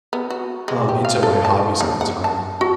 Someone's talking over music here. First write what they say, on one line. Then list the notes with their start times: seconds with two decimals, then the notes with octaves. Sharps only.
uh, into my hobbies at the time.
0.13 B3
0.30 F#4
0.68 G#3
0.89 G4
1.05 F5
1.23 A4
1.45 A5
1.81 A#3
2.01 F#5
2.24 A5
2.61 F#4